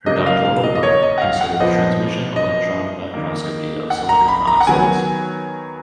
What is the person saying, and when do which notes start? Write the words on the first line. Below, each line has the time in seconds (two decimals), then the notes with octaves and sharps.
Her doctoral work considered transmission electron microscopy of silicon oxides.
0.06 C#3 F#3 A#3 D#5
0.17 D#5
0.26 F5
0.45 F5
0.64 D#5
0.75 D#5
0.83 C#5
1.03 D#5
1.18 F#5
1.22 F5
1.41 F#5
1.59 A#2 F3 B3 D#5
2.36 D#5
3.14 D#3 A#3
3.90 F#5
4.09 A#5
4.28 B5
4.47 A#5
4.61 F#5
4.67 D#3 F#3 B3 G#5